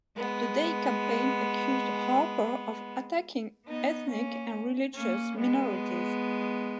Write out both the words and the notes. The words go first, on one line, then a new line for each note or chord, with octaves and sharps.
The Day campaign accused Harper of "attacking ethnic and religious minorities".
G#3 B3
B3 D#4
A#3 C#4
A#3 C#4
G#3 B3